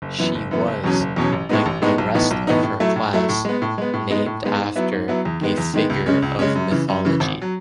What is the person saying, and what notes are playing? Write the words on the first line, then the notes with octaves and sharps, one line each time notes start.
She was, like the rest of her class, named after a figure of mythology.
F#1
F#2 E3 B3
F#1
F#2 E3 B3
F#1
E2 B2 F#3 C#4
F#1
E2 B2 F#3 C#4
A1
A2 G#3 B3 D#4
A1
A2 G#3 B3 D#4
B1
A2 E3 B3 D#4
B1
A2 E3 B3 D#4
A2
F#3 A3 E4
A2
F#3 A3 E4
A2
G#3 B3
A2
G#3 B3
A2
G#3 B3 D#4
A2
G#3 B3 D#4
G#2
F#3 B3 E4
G#2
F#3 B3 E4
E2
D#3 G#3 B3
E2
D#3 G#3 B3
C#2
C#3 G#3 C#4
C#2
C#3 G#3 C#4
F#2
C#3 E3
F#2
C#3 E3
G#1
F#3